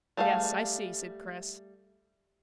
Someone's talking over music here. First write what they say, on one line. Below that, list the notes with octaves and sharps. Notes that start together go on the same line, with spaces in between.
"Yes, I see," said Chris.
G3 A3 G#4 A#4 F5